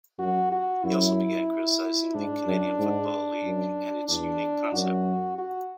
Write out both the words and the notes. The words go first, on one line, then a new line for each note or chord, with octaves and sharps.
He also began criticizing the Canadian Football League, and its unique concept.
F#2 F#4
F#4
F#2 E4
G#2 D4
F#2
G#2
F#2
E2 D4
F#2 F#4
F#4